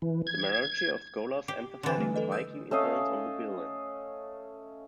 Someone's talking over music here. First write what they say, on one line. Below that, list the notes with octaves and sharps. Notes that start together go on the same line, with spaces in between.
The majority of scholars emphasise the Viking influence on the birlinn.
E3
G#6
G4
D3 E3 C6 A6
G3 A3
A4 B4 D#5
D#6 E6 G6
A3 C#4 D#5 F5